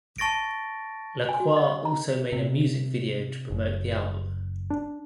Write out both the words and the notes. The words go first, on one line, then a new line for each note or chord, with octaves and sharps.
LaCroix also made a music video to promote the album.
A5 C#6 A6 A#6 D7
G#5
F#4
D#5
A#5
C3
F#1
D4